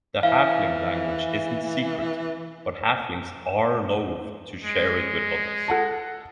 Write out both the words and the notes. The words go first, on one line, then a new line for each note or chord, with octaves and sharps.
The Halfling language isn’t secret, but halflings are loath to share it with others.
E3 F5
G#3
A4 F#5 A5